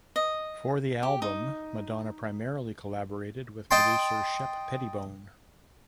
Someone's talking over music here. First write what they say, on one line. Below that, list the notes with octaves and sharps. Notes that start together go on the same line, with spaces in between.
For the album, Madonna primarily collaborated with producer Shep Pettibone.
D#5
G4
D#4
D#5 G5 A5 C6